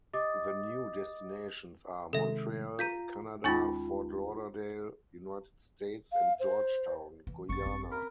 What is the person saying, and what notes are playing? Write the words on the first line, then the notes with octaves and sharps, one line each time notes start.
The new destinations are Montreal, Canada; Fort Lauderdale, United States and Georgetown, Guyana.
G4 D#5 D6 D#6 A6
C3 D#3 G#3 A4 E5
F4 A#5 G6 B6 D#7
D#2 G#3 C#4 D#4 F4 G#5 C#6 A6
F5
C5
E3
G#1 F#2 E3 C4 C#6 A6
C4 C#4
A#4 B5